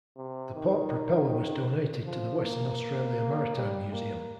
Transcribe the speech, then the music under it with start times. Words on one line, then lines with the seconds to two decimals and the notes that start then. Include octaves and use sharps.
The port propeller was donated to the Western Australia Maritime Museum.
0.17 C3
0.55 D#3
2.05 F3
2.43 A#3
3.56 G3
3.93 A#3